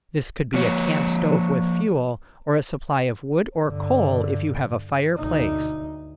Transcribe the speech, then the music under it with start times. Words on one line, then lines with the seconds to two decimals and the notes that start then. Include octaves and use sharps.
This could be a camp stove with fuel, or a supply of wood or coal if you have a fireplace.
0.54 F3 A#3 C#5
3.66 G2 D3
5.17 D2 D#4